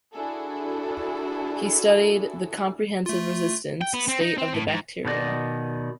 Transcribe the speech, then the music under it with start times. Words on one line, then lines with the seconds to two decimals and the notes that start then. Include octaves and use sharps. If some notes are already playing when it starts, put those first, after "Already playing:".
He studied the comprehensive resistant state of the bacteria.
0.14 D4 E4 F#4 G#4 A4
3.06 A3 F4
3.81 G5
3.94 B3
4.08 C4
4.21 D#4
4.38 C4
4.53 A2
4.67 G#2
5.05 B2 D#3 F#3 D5 D#5